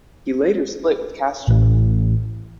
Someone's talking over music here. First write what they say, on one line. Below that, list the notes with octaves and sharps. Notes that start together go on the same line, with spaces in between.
He later split with Castro.
A1